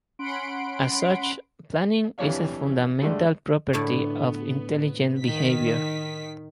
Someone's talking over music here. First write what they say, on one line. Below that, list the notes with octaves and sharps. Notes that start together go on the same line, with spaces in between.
As such, planning is a fundamental property of intelligent behavior.
C#4 F#5 B5 C6 D7
F2 E3 D4 G4 C#5 F5
G2 D3 G#3 A3
A2 D3 A3 B3
D#3 B6